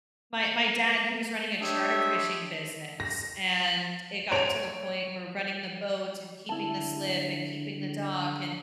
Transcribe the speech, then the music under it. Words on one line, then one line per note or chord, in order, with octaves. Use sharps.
my my dad, he was running a charter fishing business, and it got to the point where running the boat, and keeping the slip, and keeping the dock, and
D4 G4 C5 C#5 D#5 E5
A#6
C#5 D7 F7
D3 E4 A5